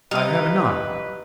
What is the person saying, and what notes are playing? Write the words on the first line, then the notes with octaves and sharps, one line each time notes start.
"I have none."
G3 D#4 B4 F5 D#6